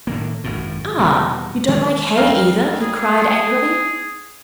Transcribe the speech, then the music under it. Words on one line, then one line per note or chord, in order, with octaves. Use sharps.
"Ah, you don't like hay either?" he cried angrily.
A2 D#3 A#3
G#1 F#2 A2
E2 B2 G3
D#3 G#3 C4
F2 A#4 F5
G#4